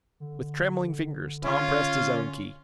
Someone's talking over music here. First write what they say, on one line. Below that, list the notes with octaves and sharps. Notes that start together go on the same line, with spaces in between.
With trembling fingers Tom pressed his own key.
D3
C#4 F4